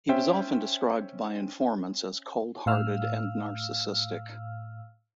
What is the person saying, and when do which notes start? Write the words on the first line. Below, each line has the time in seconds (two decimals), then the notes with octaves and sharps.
He was often described by informants as cold-hearted and narcissistic.
0.09 C#4 C5 E5 G5
2.66 A2 F5 E6 F6